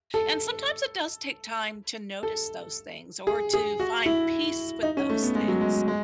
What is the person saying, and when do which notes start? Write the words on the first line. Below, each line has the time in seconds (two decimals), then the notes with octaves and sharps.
and sometimes it does take time to notice those things or to find peace with those things,
0.14 A4
2.23 A4
3.27 G#4
3.53 G#4
3.80 F#4
4.06 E4
4.83 D#4
4.97 C#4
5.10 A3
5.22 B3
5.35 G#3
5.48 F#3
5.61 G#3
5.88 G#3